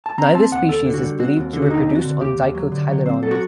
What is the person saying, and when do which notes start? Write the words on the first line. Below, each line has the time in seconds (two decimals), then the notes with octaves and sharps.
Neither species is believed to reproduce on dicotyledons.
0.06 A5
0.18 C4 A#5
0.34 C4 A5
0.52 D#2 F#5
0.69 D#2 A4
0.86 D3
0.94 F#4
1.03 G3
1.19 C4 F#4
1.37 D#2
1.53 D3
1.62 F#4
1.70 D#2 D#4
1.87 C4
1.95 F#4
2.04 D3
2.21 D#2 G4
2.38 D#2
2.55 F#3
2.72 D3
2.88 F#3
3.06 C4
3.22 F#3 A4
3.31 F#4